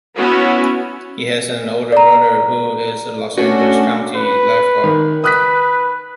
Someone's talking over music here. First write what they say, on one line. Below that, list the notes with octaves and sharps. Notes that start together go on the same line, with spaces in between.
He has an older brother who is a Los Angeles County Lifeguard.
B3 C#4 E4 F#4
D5 A#5
A3 C#4 D4 F#4
B4
D#3
B4 D#6 F#6 B6